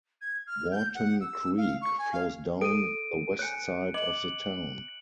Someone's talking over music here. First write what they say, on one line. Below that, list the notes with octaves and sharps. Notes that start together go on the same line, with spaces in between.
Wharton Creek flows down the west side of the town.
G#6
F6
G6
F#5
E6
F5
C#6
G#5
F5
A4 D7 D#7
C#5 G#5 F#6 C#7
D#5 D6 F#7